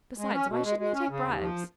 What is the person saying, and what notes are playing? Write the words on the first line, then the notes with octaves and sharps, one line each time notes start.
Besides, why shouldn't he take bribes?
G#3
C#4
B2
G#3
G#3
C#4
C#3
D#2
F3